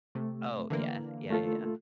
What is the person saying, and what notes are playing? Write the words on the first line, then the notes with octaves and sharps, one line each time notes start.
Oh, yeah, yeah, yeah, yeah.
C3 A3
D3 E3 A#3
A3 F4 A4